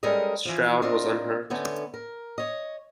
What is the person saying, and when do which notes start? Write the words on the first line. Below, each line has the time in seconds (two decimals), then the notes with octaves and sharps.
Stroud was unhurt.
0.03 G3 G#3 C#4 A4 A#4 D#5
0.45 E3 F3
0.82 C4 D4 F4 A#4 D#5
1.50 D3 A3 B3 C#4
1.94 A#4
2.38 C#5 D#5